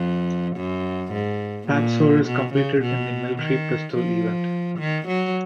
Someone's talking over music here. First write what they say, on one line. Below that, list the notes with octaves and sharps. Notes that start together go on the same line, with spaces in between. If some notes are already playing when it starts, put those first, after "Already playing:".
Patsouris competed in the military pistol event.
Already playing: F2
F#2
G#2
A#2
B2
C#3
B2
D#3
F3
D#3
F#3